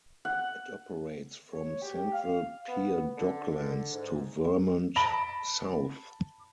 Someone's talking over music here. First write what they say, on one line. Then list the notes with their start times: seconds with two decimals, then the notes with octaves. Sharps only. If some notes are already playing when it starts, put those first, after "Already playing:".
It operates from Central Pier Docklands to Vermont South.
0.25 F#5
1.52 C#5
1.82 G4
2.13 F5
2.67 B3
3.18 D3
3.49 D3
3.92 G#2
4.96 A5 B5 A#6 D7 G7